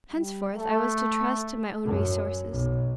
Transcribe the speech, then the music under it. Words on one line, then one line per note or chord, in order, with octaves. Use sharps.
Henceforth I was to trust to my own resources.
G3
A3 A4
F#2
B1